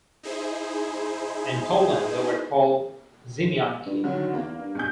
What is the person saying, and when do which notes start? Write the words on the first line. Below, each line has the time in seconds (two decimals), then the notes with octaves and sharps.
In Poland they were called "ziemianki".
0.23 D#4 E4 G#4 C5
3.86 G2
4.04 D3 D#3 F#3
4.33 E2 A#3
4.59 G2
4.75 G2 B2 G#5 G6